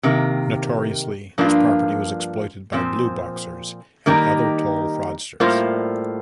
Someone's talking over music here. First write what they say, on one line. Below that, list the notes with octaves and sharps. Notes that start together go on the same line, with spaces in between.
Notoriously, this property was exploited by blue boxers and other toll fraudsters.
C3 D#3 A#3
G2 F3 A#3 D4 F4
A#2 F3 C4
D#3 G3 A#3 D#4 G4
A2 G3 A#3 F4 C5